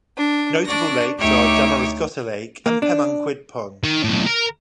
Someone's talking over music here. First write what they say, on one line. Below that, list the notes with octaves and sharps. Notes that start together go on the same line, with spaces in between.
Notable lakes are Damariscotta Lake and Pemaquid Pond.
D4
D4 D5 C#6 A#6
D2 D#4 G4 C#5 E5 D6
A#3
D4
D#3
B1 A2
A#4